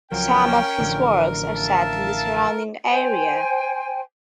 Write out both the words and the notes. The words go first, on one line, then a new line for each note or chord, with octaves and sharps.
Some of his works are set in the surrounding area.
C#2 F3 F#3 C#4 A#4 G5
A1 D3 F3
E5 F5 A5
C5 G5 G#5